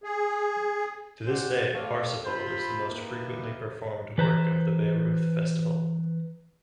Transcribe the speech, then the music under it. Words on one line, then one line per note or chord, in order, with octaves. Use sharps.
To this day "Parsifal" is the most frequently performed work of the Bayreuth Festival.
G#4
C#3 C4 C5 D5 F#5
A3 C4 C#5 D5 F5
C3 F4 C5 B5
A#3 D#4 E4 G4 B4
E3 B4 C5 A#5